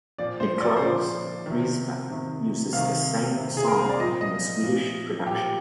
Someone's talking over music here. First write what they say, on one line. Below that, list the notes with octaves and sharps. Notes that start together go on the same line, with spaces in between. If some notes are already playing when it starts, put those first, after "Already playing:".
Niklas Riesbeck uses the same song in the Swedish production.
A#2 F3 D5
C5
D5
C5
A#2 F3 D5
C3 D#3
C3 D#3
C3 D#3 F5
C3 D#3
G#4
A#4
C5
D5
A#2 F3 D#5
D#5
A#2 F3
A#2 F3 G4